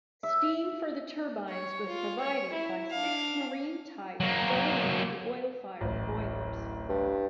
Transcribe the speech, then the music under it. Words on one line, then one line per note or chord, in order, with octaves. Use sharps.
Steam for the turbines was provided by six Marine-type double-ended oil-fired boilers.
E5
C#5
F4
C#5
E4
D4 F5
F#3 A#3
D1 A1
G2